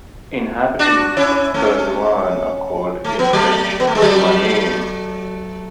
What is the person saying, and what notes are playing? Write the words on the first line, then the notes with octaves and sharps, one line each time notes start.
Inhabitants of Kerlouan are called in French "Kerlouanais".
D4 F#4
C#4 E4
A3 C#4
A3
B3
F#3 A3
B3
A3
G#3
F#3 A3